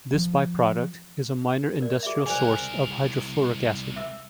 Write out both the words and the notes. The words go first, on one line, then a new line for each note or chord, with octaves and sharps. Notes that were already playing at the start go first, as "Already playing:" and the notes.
This byproduct is a minor industrial source of hydrofluoric acid.
F3
A#4 D5
G#4 D5 E5
C2 A#4 C5 D5 G#5
E5 E6